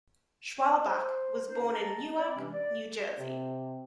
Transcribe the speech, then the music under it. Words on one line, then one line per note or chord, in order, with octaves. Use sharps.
Schwalbach was born in Newark, New Jersey.
C5
C#4 D#4 C5
E5 A5 A#5
C4 D5
C3 E3 G#3 C#4 D4
D5
C3